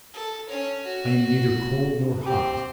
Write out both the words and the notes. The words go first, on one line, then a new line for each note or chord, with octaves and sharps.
I am neither cold nor hot.
A4
C#4 C#5
F#4
C4 G4